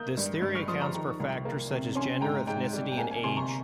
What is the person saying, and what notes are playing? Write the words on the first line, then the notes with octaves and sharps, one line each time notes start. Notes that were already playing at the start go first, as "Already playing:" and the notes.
This theory accounts for factors such as gender, ethnicity and age.
Already playing: A#3 D#6 G6
G2
G2
C#6 F6
F3 C6 D#6
A#5 C#6
D#3
C2
A#3
C3
C#4 G#5 C6
G#2 G5 A#5
G#2 G5 A#5
G3
G5
A#3 G#5
G#5
C3 G#5 C6
A#5 C#6